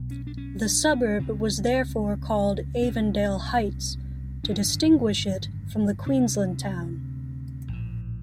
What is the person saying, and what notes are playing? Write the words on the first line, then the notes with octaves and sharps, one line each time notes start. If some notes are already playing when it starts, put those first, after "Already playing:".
The suburb was therefore called Avondale Heights to distinguish it from the Queensland town.
Already playing: B1 B2
C#4
D4
C#4
D4
C#4
C#2 C#3 C4
C2 B2 C#4
G#1 F#2 D3 D4
D2 C3 D4
A#1 A2